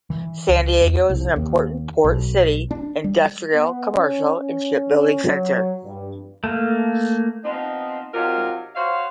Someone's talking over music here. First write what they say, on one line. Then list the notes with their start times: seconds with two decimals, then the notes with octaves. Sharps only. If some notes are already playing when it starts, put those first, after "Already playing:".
San Diego is an important port city, industrial, commercial, and shipbuilding center.
0.10 E3
0.48 C#2
0.81 E2
1.10 C2
1.36 D#2
2.04 B1
2.71 D4
3.04 G3
3.54 B3
3.94 C#4
4.34 C#4
5.25 F#3
5.84 G2
6.44 A3 A#3
7.43 F3 B3 C4 D#4
8.13 C3 F#3 D#4 F4 A#4
8.75 F#4 C5 C#5 F5